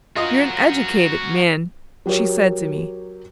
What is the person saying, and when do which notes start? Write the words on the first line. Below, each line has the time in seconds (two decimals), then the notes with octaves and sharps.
'You're an educated man,' she said to me.
0.16 F4 F#4 A#4 D#5
2.06 F#3 G4 A#4 C#5